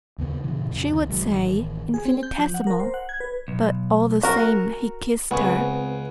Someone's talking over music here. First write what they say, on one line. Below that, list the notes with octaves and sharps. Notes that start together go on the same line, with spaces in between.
"She would say 'infinitesimal.' But all the same he kissed her."
D#2 C#3 B3
G2 A#2 C#3 E3
F2 C#3
C#2 D#3
C2 F#3 G#3
A1 D#3
G#4
C4
G6
F3
F#5
A#4
C5
F#5
G#6
B4
B1
F#4 A#4
C#2 B3 C4 F#5 G#5 C#6